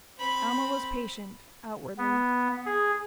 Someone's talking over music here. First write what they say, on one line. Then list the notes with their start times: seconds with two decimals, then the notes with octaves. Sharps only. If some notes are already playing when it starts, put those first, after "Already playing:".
Alma was patient--outwardly.
0.18 C4 B5
1.98 B3
2.66 G#4